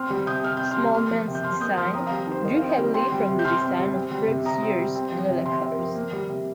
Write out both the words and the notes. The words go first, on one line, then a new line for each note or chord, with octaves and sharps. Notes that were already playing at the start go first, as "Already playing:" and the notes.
Smallman's design drew heavily from the design of previous year's Lola cars.
Already playing: C4 C6 F6
G3
C3 D#6 G6
C3 F6
C4 G6
C6 F6
G3
A#3 C6 F6
F3
C3
G6
C3 C6 F6
A#3 D#6 G6
F3 C6 F6
C4 A#5 D#6
G3 F5 A#5
D#3 C5
D#3 A#4 D#5
C5 F5
C4
D#5 G5
G3
C4 G5 C6
G3
C3
G6
C3 C6 F6
C4
G3
C4
G3
C3
C3 A#5 D#6
C4
G3
C4
F3
C3
C3 G5 C6
C4
A#4
F3
A#3
G3
C3